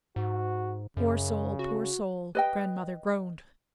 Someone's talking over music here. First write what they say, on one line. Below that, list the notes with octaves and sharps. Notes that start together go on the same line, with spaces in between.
"Poor soul, poor soul!" grandmother groaned.
G#2 F#4
F#2 C#3
F#4
B4 D#5 G5